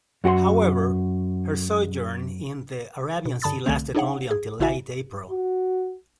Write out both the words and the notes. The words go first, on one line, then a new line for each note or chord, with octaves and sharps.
However, her sojourn in the Arabian Sea lasted only until late April.
F#2 F#4 G4 F#5 C6
B2
G2 D3 A5 B5 D#6 A6
C2 D3 A3 C4
D4 D#4 G#4 C#5 F5 F#5
G#4
A1 D3 E4 F#4 E5 G#5
F#4